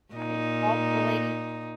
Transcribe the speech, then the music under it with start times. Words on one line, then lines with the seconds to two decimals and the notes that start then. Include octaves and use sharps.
I called the lady
0.14 A#2 D#4